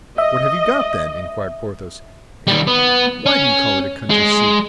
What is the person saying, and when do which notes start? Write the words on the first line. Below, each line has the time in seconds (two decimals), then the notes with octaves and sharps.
"What have you got, then?" inquired Porthos, "and why do you call it a country-seat?"
0.18 D#5 E5
2.47 D#3 G3
2.67 B3
3.26 C#4
4.10 G#3